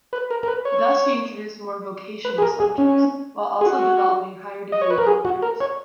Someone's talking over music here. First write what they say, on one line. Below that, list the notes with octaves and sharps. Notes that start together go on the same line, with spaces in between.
Thus he introduced more vocational subjects, while also developing higher degree programmes.
B4
A#4
A#4
B4
C#5
B4
G#4
A#4
G#4
C#4
G#4
F#4
D#5
C#5
B4
A#4
G#4
F#4
A#4
C#5